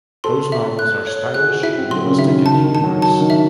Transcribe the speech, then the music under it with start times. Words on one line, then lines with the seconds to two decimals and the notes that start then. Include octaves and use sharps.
Those novels are stylish, realistic and humorous.
0.24 A4 C6
0.52 E5
0.79 F#6
1.07 C#5
1.34 G#4 F#6
1.49 F#4
1.63 E4 E5
1.77 C4
1.91 F#3 C6
2.05 C#3
2.18 D#3 E5
2.33 C#3
2.46 D#3 A5
2.64 D#3
2.75 A5
2.84 F#3
3.02 A5
3.20 D#3
3.30 E5